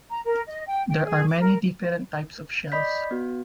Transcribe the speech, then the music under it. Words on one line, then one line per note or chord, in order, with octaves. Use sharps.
There are many different types of shells.
A#5
A#4
D#5
G5
G5
G#4
D6
A#4
D5 D#5 B5 G6 B6
B3 F#4